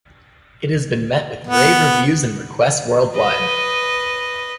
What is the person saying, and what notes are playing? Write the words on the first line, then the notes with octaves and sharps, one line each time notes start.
It has been met with rave reviews and requests, worldwide!
B3
B4 D#5